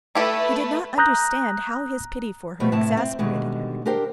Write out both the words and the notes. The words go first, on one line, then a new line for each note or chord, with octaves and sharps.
He did not understand how his pity for her exasperated her.
A3 E4 G4 A4 B4
A#5 D#6 F#6 G6 A#6
B2 G3 A3 B3
A2 C3 C4 E5 A5
C4
B2 D3 D#3 G3 G#3
D4 G4 A#4 C5 G5